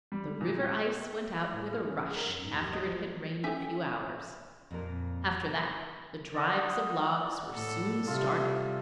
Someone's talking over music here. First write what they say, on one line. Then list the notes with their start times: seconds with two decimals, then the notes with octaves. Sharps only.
The river ice went out with a rush after it had rained a few hours; after that the "drives" of logs were soon started.
0.12 G3
0.41 A#2
0.61 G5
1.54 A2
1.73 F6
1.91 C#4
2.03 G#4
2.16 A#4
2.29 F#2
2.44 G#2
2.55 D#2
2.73 D#5
2.86 F3
3.44 C#4 A4 E5 G#5
4.71 F2 A#2 C4 A#4
6.34 D5 D#5 F#5
7.53 A2 A4
8.07 C3 G3 F4 A4 E5